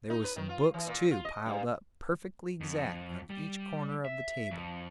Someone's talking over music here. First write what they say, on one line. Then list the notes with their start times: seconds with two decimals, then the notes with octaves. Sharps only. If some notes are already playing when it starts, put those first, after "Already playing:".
There was some books, too, piled up perfectly exact, on each corner of the table.
0.10 D#4
0.24 B4
0.36 D#3
0.49 F4
0.74 E3
0.87 A#2
1.11 F4
1.25 D#5
1.46 G2
2.61 F2
3.30 G3
4.05 E5
4.51 F2